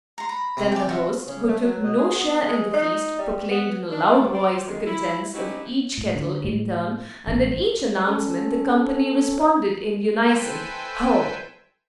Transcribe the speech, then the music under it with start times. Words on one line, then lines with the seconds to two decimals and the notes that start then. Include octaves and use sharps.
Then the host, who took no share in the feast, proclaimed in a loud voice the contents of each kettle in turn, and at each announcement the company responded in unison, Ho!
0.18 A#5 C6
0.29 A#5 B5
0.57 C3 A#5
0.72 G4 G5 G#5
0.89 F4 F#4 E5
1.27 C#3
1.49 A3
1.62 F#3
1.83 B2
1.98 G#4
2.15 B3
2.47 G#3
2.73 D#4
3.18 G3
3.50 B3
3.90 D4
4.10 F2 D3 A3 F4 D5
4.33 C5 D5
4.66 F#2 D3 D#3 F3 G3 G#3
4.85 E4
5.34 C#4 D#4 E4 F#4 G4
5.98 A2
6.15 D3
6.44 A2
7.27 A1
8.07 C#4 A4 C#5
10.21 A4 B4 C5 E5 G5 G#5